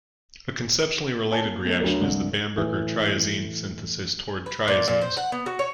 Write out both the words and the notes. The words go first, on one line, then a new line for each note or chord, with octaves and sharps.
A conceptually related reaction is the Bamberger triazine synthesis towards triazines.
C#5 G#5 A5
A#3
A3 B3
D2 F#3 A3 A#4
C2 G2
A2 E3
B4
A#2
A#2
C5
F#5
B3
F#4
C#5